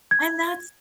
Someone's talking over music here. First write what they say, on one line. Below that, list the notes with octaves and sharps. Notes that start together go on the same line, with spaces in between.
and that's
G#6